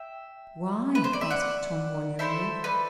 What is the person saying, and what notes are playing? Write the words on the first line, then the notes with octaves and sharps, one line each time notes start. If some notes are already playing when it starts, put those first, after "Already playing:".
"Why?" asked Tom, wonderingly.
Already playing: E5 G5
B4
C5
D5
E5
D5 F#5
A3 E4 A4 C5 E5
B4 D5